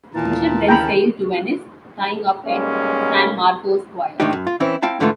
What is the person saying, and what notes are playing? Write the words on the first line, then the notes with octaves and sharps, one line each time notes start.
The ship then sailed to Venice, tying up at San Marco Square.
D#2 A#2 E3 A#4 A5
G2 C#3 G5 A#5 B5
B1 G3 G#3 A#3 C#4
A2 D3 D#3 D4 D#4 G4
F#2
F4
E3 C4 C#4 E4
C4 E4 F5 G5 A5
G#2 D3 E3 A3 F4